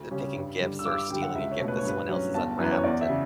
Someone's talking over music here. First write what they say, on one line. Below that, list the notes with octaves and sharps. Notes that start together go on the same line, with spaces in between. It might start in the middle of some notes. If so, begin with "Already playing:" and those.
picking gifts or stealing a gift that someone else has unwrapped and,
Already playing: D2
C#3 G3 C#4
G2
D3 G3
E6
G2 D6
E6
D6
D3 G3 G5
F#5
C#2 E5
C#5
B2 A3
B4
C#5
G2 B4
F#3 C#4
G1 A5
F#2 E3 B4
C#5
E2 D5
E5
C#3